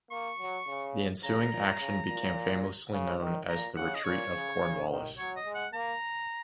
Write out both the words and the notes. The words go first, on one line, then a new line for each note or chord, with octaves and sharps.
The ensuing action became famously known as The Retreat of Cornwallis.
A#3 C#6
F#3
C#3
C#3 A#5
A#2
C#3
A#2
C#3
D#3
A#2 A#5
C#3 F#5
D#5
A#2 C#5
C#3
C#3
D#3
F#3 C#5
D#5
G#3
F#5
A#3 A#5